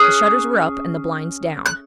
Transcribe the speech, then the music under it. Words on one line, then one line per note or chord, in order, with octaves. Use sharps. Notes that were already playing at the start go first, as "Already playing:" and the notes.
The shutters were up and the blinds down.
Already playing: C#4 G#4 D#6 F#6
F#6